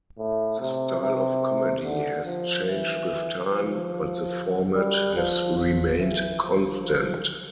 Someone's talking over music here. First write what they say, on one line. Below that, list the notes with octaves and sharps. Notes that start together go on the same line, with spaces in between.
The style of comedy has changed with time, but the format has remained constant.
A2
C3
C3
D3
F3
E3
F3
G3
F3
F3
E3
F3
F3